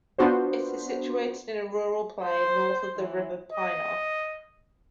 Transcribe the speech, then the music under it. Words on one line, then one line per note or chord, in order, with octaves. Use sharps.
It is situated in a rural plain, north of the river Pineios.
B3 D4 F4 F#4 C5
C5
E3
D#5